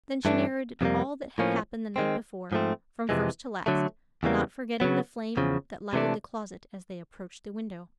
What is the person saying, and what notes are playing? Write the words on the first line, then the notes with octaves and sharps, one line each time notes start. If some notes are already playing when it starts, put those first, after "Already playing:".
Then she narrated all that had happened the night before, from first to last, not forgetting the flame that lighted the closet as they approached the window.
G2 E3 A3 D4
F2 C3 D#3 G3 A#3
A2 F3 A#3 C#4
D#3 G#3 C4
G#2 F3 A3 C4
F2 C3 E3 G#3
D3 F#3 A3
E2 C#3 E3 G3 A#3
C#3 F#3 B3
E2 C#3 F3
C3 E3 A3 D4